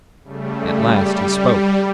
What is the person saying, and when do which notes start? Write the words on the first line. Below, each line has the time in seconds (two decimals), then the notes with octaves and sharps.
At last he spoke.
0.24 C#3 G3 A3
0.84 G3